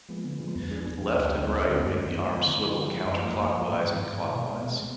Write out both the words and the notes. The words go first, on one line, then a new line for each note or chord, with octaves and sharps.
Left and right make the arms swivel counter-clockwise and clockwise.
F3 G#3 B3
D3
F3 G#3 B3
F2
F3 B3 D4 G#4
F2
F3 B3 D4 G#4
D2
D3 G#3 B3
D2
D3 G#3 B3
F#2
D#3 G#3 B3
F#2
D#3 G#3 B3
D3
F3 G#3
D3
F3 G#3
F#2
F3 A#3
F#2
F3 A#3
G#2
D#3 G#3
G#2
D#3 G#3
B2
G#3 B3
B2
G#3 B3